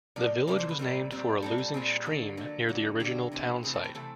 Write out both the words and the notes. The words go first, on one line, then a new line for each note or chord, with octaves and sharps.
The village was named for a losing stream near the original town site.
C3 F3 A#3 D5
C3 F3 A#3 D5
C5
B4
A#2 G3 C4 A#4
A#2 G3 C4
A#2 G3 C4 A4
A4
A#2 G3 C4 G#4
D3 F#3 A#3
D3 F#3 A#3
D3 F#3 A#3
D3 F#3 A#3 G4
C3 E3 A3 C4
C3 E3 A3 C4 G#4
A4
A#4
C3 E3 A3 C4 A4